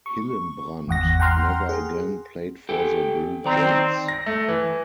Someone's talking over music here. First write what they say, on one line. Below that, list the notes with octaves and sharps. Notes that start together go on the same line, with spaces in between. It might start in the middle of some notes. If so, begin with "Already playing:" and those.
Hillenbrand never again played for the Blue Jays.
C#6
G#1 E2 F#5 A#6
F#5 G5 A#5 C6 F6
G#4
G4 A4 G5
D#3 C4 D5 A#5
A#6
A3
E3